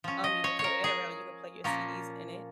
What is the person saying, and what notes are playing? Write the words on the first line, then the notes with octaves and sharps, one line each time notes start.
um, you would carry that around and you could play your CDs in it,
F3 C#4
D#5
C#5
A#4 C#5
G#4
A#2 F3 A#3 C#4